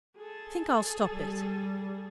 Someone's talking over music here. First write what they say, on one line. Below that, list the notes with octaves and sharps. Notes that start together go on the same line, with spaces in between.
I think I'll stop it.
G#4 A4
G3